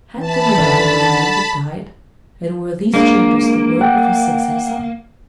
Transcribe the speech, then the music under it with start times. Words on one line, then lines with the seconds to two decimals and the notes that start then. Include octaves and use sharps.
Had the miller whom I remembered, died; and were these changes the work of his successor?
0.19 E3 A5 B5
0.58 D3 D#3 C#4
2.94 G#3 A#3 D4
3.81 F#5 G5